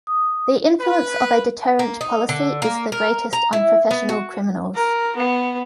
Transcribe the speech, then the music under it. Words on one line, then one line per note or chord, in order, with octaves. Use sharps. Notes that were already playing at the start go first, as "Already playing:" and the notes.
The influence of a deterrent policy is the greatest on professional criminals.
D#6
B4
A#3
D#4
D3
A#3
A#4
A#5
E4
B3
F#4
A#4
B3